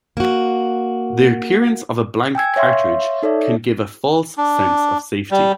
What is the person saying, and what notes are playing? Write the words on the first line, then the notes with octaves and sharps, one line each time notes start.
The appearance of a blank cartridge can give a false sense of safety.
A#3 F#4
G5 G#5 E6 G#6
C#5 E5 F5 C6 C#6
D#4 A4 C#5 D5 E5
D4
G3